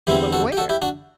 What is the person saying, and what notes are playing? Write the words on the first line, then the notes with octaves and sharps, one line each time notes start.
But where?
E2 D3 G3 C4 E4 G4
F#4 A4
G4
F#4 A4
E4 G4
D4 F#4